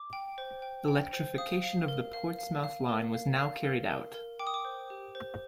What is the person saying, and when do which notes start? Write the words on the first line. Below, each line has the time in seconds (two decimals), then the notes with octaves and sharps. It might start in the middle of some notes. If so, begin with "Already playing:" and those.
Electrification of the Portsmouth line was now carried out.
Already playing: D6
0.13 G5
0.38 C5
0.62 G5
0.88 G5
1.13 C5
1.38 F5 D#6
1.63 F5
1.88 A#4
2.13 F5
2.39 F5
2.64 F5
2.89 A#4
3.14 F5
3.39 F5
3.64 A#4
3.89 A#4
4.14 A#4
4.39 G5 D6
4.47 D#6
4.54 D6
4.65 C5
4.90 G4
5.15 C5